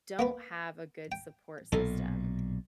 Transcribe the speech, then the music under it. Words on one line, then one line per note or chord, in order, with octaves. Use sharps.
don't have a good support system,
A#3 B3 B4
G5
B1 A#2 D#4 A4